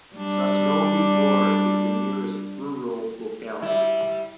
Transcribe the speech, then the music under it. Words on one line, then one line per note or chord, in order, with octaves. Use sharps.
Sosnovy Bor is the nearest rural locality.
G3 D4
G3 E4